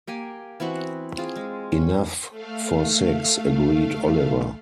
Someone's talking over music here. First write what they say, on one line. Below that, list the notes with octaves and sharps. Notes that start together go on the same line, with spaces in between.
"Enough for six," agreed Oliver.
A#3 G4 G5 G#5
E3 B3 C4 F#4
C4 F4 G#4
G#3
C#4
A3 F5